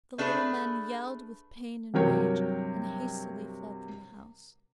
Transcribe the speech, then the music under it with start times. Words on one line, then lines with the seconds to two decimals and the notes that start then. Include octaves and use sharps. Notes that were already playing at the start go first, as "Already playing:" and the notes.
The little man yelled with pain and rage, and hastily fled from the house.
0.18 A3 D4 G#4 A4 B4
1.94 G2 C3 F#3 A#4 C#5 G5